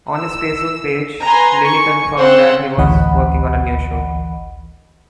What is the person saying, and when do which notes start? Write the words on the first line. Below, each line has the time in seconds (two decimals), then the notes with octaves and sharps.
On his Facebook page, Lilley confirmed that he was working on a new show.
0.12 E6
1.24 B4 G#5 A#5 C6
1.57 G#5 C#6
2.17 C4 C5 F5 F#5 E6
2.77 A1 D2 E3 D#5 F#5 B5